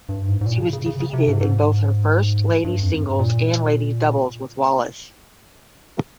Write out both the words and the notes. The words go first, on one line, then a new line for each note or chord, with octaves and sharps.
She was defeated in both her first ladies singles and ladies doubles with Wallis.
G2
G#2
G#2
A#2
C#3
C#3
C#3
C#3
C3
G#2
G#2
G2
F2
G2
A#2